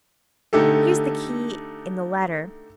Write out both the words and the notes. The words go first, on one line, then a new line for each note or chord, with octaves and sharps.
Here's the key in the letter.
D3 A3 D#4 G4 A4